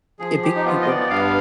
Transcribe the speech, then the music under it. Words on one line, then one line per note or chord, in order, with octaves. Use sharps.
evict people w
F3 G#4
G4
D#4
B3 F4
D#5
D5
G2 F5